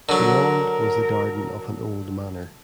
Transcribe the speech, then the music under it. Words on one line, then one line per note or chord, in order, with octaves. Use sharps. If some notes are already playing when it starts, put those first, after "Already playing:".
Beyond was the garden of an old manor.
D3 F#3 A#4